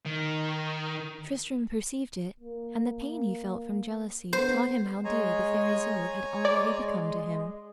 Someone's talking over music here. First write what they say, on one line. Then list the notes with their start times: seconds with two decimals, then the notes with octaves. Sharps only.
Tristram perceived it, and the pain he felt from jealousy taught him how dear the fair Isoude had already become to him.
0.05 D#3
2.40 A#3
4.33 B3 C5
5.05 G#3 C#5 G#5 A#5
6.45 G#3 D5